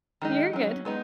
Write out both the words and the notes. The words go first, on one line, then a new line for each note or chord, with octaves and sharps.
You're good.
D#3 G#3 D#4
F#3 C#4
G#3 B3 D#4